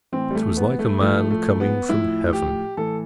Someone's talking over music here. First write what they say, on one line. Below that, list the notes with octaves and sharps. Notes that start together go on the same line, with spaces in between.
It was like a man coming from heaven.
A2 E3 C4
G3
A3
B3
A3
A2 F3 A3
A3
B3
A2 F3 E4
G4
A2 E3 A4